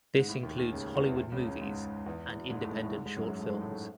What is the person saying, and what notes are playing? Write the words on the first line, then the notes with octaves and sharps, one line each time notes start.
This includes Hollywood movies and independent short films.
G#2
A2
D#2 D#3
D#2 D#3
C#2 C#3
E2 E3
E2 E3
C#2 C#3
C#2 C#3
G#2 G#3
E2 E3
E2 E3
G#2 G#3
A2 A3
G#2 G#3
A2 A3
G#2 G#3
G#2 G#3
F#2 F#3
G#2 G#3
A2 A3
G#2 G#3
A2 A3
G#2 G#3